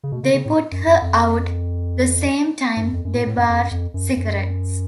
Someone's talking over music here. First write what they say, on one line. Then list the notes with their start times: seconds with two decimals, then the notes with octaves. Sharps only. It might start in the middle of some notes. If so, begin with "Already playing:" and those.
They put her out the same time they barred cigarettes.
0.03 C#3
0.12 B2
0.23 C#3
0.34 C#3
0.46 A2
0.72 F#2
0.87 F#2
1.02 F2
2.77 G#2
2.82 F#2
2.93 F2
3.05 F#2
3.15 A2
3.27 A2
3.38 F#2
3.49 F2
3.60 F#2
3.71 F2
3.94 F#2
4.17 F#2